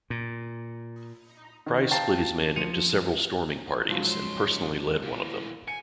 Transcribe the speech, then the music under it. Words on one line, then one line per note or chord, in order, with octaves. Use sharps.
Price split his men into several storming parties and personally led one of them.
A#2
D#3
F5 G5 A5 A#5 A6 C7
F3 C#7 D#7 F7
G#2 C#3 F3 F#3
C#2 C6
A#2 E3
G#5 C#7